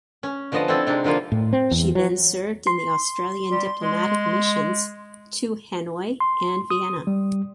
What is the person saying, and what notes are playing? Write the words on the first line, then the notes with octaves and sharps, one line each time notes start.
She then served in the Australian diplomatic missions to Hanoi and Vienna.
C#4
D3 F3 B3 D#5 A5
C4 D4 E4 A4
C3 G#3 D4 D#4
D3 F3 A#3 F4
A2
C4
E2
F#3
C6
G3
G#3
C6
D#6
G3